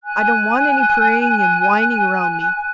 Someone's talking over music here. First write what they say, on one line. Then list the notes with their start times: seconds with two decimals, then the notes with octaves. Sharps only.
I don't want any praying and whining round me.
0.03 G#5 F#6